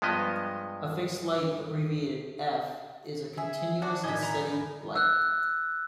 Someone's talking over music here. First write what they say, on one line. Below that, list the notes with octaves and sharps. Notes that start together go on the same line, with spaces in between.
A fixed light, abbreviated "F", is a continuous and steady light.
G2 F3 G#3 B3 D#5
G#4 E5
D4 F#4
A2 D#3 D5 D#5 G#5 B5 G#6
A#5 B5
E6 F#6